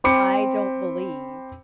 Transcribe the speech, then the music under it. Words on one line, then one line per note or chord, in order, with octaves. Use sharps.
I don't believe
C4 C5 B5 D6 C#7